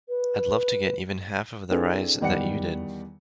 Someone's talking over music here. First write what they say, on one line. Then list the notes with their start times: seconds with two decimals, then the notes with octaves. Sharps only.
I'd love to get even half of the rise that you did.
0.09 B4
1.71 C4 D4 E4 G#4 A4 B4
2.20 E2 D#3 G3 D5 F#5 C#7